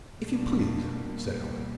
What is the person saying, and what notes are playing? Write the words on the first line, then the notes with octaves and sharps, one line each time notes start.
"If you please," said Allan.
B2 G3 A#3 D4
B2 G3 A#3